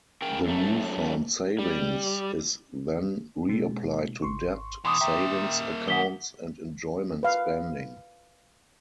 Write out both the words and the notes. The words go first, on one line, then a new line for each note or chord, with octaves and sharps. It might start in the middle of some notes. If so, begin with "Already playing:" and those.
The newfound savings is then reapplied to debt, savings accounts and enjoyment spending.
C#3 A#4 G5
F#2 A3
G3
B2 G#3
G#1 C6 C#6
B2 E3 C6 D6 D#6
A#3 E5 G5 A#5
D#3 F#5 D#6 B6 G7
B4 F5